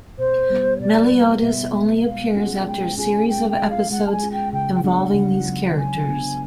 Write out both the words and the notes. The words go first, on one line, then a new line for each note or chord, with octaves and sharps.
Meliodas only appears after a series of episodes involving these characters.
B2 C5
G3 B3
C#5
B2 D5
G3 B3
B2 E5
G3 B3 E5
G#3 F5
C#4 F4 G#4 F#5
G#3 G5
C#4 F4 G#4 G#5
G#3 G5
G5
C#4 F4 G#4
F5
G#3 F#5
A5
G#5
C#4 F4 G#4
G5
C#3 G5
G5
F#3 B3 D4 F4 F#5
C#3
F#3 B3 D4 F4
C#3 G#5
F#3 B3 D4 F4